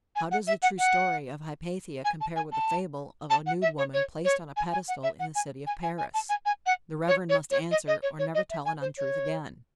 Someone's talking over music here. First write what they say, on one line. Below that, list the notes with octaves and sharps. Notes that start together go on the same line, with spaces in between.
How does the true story of Hypatia compare with the fable of "a nude woman placed on a pedestal in the city of Paris?" The Reverend must answer, or never tell an untruth again.
G#5
F#5
E5
F#5
F#5
G#5
A5
G#5
A5
A5
F#5
E5
C#5
C#5
C#5
G#5
G#5
F#5
E5
F#5
G#5
G#5
G#5
G#5
A5
G#5
G#5
F#5
C#5
C#5
C#5
D#5
D#5
C#5
C#5
D#5
E5
G#5
C5
C#5